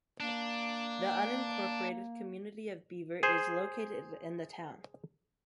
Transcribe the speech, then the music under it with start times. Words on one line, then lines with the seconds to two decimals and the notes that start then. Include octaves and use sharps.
The unincorporated community of Beaver is located in the town.
0.20 A#3 D4
3.23 G#4 C5